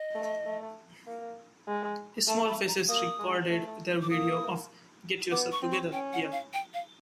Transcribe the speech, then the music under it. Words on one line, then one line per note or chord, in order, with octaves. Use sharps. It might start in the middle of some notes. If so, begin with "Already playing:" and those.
The Small Faces recorded their video of "Get Yourself Together" here.
Already playing: D#5
A3
A3
A#3
G#3
A3 A5
B5
A#5
A#3 D#6
G#3
A3
D6
A#3 D#6
B3 D6
C#6
C4
C#6
C#4 G5
F#5
F5
G5
F5